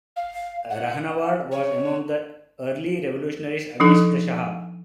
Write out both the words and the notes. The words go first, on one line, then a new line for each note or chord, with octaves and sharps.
Rahnavard was among the early revolutionaries against the Shah.
F5
F#5
C#5
F3 D4 D#4 A4